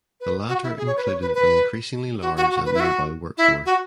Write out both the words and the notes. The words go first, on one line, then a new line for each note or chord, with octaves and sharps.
The latter included an increasingly large and mobile workforce.
B4
F#4
E4
G#4
C#5
B4
C#5
B4
B4
F#4
F#4
F#4
B4
E4
F#4
E4
F#4